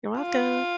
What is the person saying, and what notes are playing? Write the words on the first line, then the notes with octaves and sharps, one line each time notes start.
You're welcome.
F4